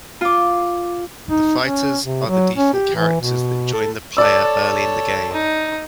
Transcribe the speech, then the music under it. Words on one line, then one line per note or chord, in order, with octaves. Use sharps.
The Fighters are the default characters that join the player early in the game.
F4 D6
D#4
C#4
C3
F#3
C#4
G4
E3
B2
A4
A4 C#5 D5 E6
D#4